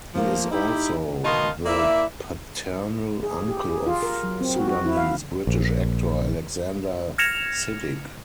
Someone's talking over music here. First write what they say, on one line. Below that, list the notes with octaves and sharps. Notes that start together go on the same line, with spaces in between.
He is also the paternal uncle of Sudanese-British actor Alexander Siddig.
F3 A#3
D#4 E4 G4
B2 D#3 D#4 F5 A5 C6
A#3 E4 D5 E5
G#4
G4
G#4
F4
A#4
F#3
C4
F#4
F#4
E4
F5
A#1
F6 G#6 A#6 C#7 E7 F7